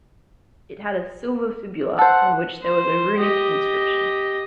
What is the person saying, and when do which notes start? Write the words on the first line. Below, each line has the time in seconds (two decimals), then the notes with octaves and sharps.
It had a silver fibula on which there was a runic inscription.
1.99 A4 C5 F#5
2.63 C5
3.18 G4 D#5